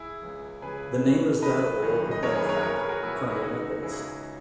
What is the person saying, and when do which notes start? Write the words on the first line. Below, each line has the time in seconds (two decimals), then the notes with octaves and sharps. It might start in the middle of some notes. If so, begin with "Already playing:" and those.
The name is that of a local benefactor, Colonel Nichols.
Already playing: E4 G#4
0.22 C#2 C#3 E3
0.62 C#2 C#3 E3 G#4 B4
1.02 B1 B2
1.42 B1 B2 B4 D#5
1.82 F#1 F#2 D#3
2.11 D#5
2.23 F#1 F#2 D#3 A#4 C#5
2.35 G#4 B4
2.49 A#4 C#5
2.62 E1 E2 B2 A#4 C#5
2.76 G#4 B4
2.89 F#4 A#4
3.02 E1 E2 B2 E4 G#4
3.15 D#4 F#4
3.30 C#4 E4
3.42 C#2 C#3 E3 D#4 F#4
3.82 C#2 C#3 E3 E4 G#4